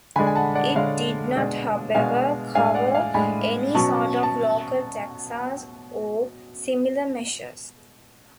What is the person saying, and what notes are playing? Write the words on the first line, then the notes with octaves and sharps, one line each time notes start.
It did not however, cover any sort of local taxes or similar measures.
D3 G#3 D4 G#5 B5
G#5
F#5 A5
D5 F#5
D3 G#3 D4 C#5 F5
B2 G#3 D4
B2 G#3 D4 F5 G#5
A2 G#3 D4 F5 G#5
D5 F#5
F5 G#5
A2 G#3 D4 G#5 B5
B2 F#3 C#4 A5 C#6
A5